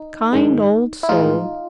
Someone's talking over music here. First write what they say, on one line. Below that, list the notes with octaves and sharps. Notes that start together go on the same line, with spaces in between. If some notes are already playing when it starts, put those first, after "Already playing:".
Kind old soul!
Already playing: D#4
G#2 D#3 G#3
E4
A2 E3 G#3 D#4 F4